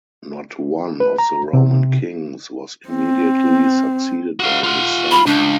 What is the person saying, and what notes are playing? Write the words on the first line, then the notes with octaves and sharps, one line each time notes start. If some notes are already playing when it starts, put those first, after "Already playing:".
Not one of the Roman kings was immediately succeeded by his son.
B4
A#5
C3
C4
F#4 F5
F4 F#5
B5
C#2 D4